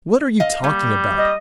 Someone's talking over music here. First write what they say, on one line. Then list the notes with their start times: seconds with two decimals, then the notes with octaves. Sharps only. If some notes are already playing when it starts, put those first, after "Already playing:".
What are you talking about?
0.40 D#5 F5
0.64 G3 A#3
1.19 D#5